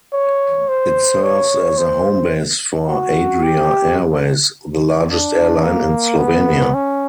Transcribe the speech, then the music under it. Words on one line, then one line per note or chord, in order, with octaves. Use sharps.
It serves as the homebase for Adria Airways, the largest airline in Slovenia.
C#5
C5
C#5
C5
F#4
G4
D4
A#3
B3
C#4